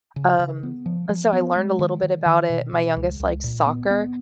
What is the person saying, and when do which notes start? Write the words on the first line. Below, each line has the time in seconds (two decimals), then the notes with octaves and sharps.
um, and so I learned a little bit about it. My youngest likes soccer,
0.16 C#3
0.39 C#3
0.63 B3
0.86 F3
1.09 F3
1.33 B3
1.56 G#3
1.79 D#3
2.03 D#3
2.26 D#3
2.50 B2
2.73 B2
2.97 C#2
3.20 C#2
3.44 A#2
3.66 B3
3.91 B3